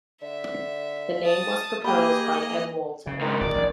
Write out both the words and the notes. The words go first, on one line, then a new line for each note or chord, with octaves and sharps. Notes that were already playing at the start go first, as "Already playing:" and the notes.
The name was proposed by M. Walter.
D3 E5
A5 D#6
A#3 G4 G#4 D#5 G5 B5
C#3
F2 G#2 D#3
D1 D5
A1